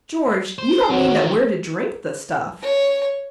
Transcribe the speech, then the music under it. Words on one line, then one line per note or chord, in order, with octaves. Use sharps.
"George, you don't mean that we're to drink the stuff?"
C5
D3 D#3 F#3
C#5